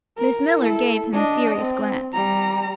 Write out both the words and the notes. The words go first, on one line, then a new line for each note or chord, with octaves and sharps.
Miss Miller gave him a serious glance.
A#4
E4 A4
D4 D#5
C4
G3 A#5